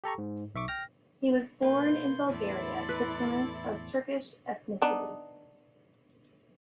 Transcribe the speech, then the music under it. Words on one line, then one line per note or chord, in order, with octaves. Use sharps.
He was born in Bulgaria to parents of Turkish ethnicity.
G4 A4 A#5 C#6
G#2
B1 E5 C#6 D6
G5 F6 A#6
B2 A#3 B4 C6 G6
E2 A2 C3 E4 A4 D5 C6
B4
B3 D4 D#4